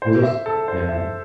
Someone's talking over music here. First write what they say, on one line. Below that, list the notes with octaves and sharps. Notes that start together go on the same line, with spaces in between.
This was Yeah.
C5
E5
A4
C5
E5